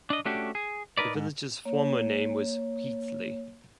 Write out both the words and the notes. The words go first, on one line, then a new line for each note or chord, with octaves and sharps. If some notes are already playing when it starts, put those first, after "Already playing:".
The village's former name was Wheatley.
D4 D#5
A3 C#4 D4 F#4 G4
G#4
D#4 E4 A#4 B4 D5
G#2
A#3 C#5